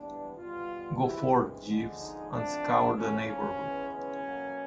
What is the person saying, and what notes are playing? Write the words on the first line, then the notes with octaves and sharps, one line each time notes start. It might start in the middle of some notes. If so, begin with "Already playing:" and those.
Go forth, Jeeves, and scour the neighbourhood.
Already playing: E3 G3 B3 D4
B2 G3 B3 F4
E3 G#3 C4 E4
D3 F3 G#3
D#4
D3 F3 A3 C4 D4
C#3 F3 A#3 C#4
C#4
E3 G#3 B3
C#4
B2 F#3 A#3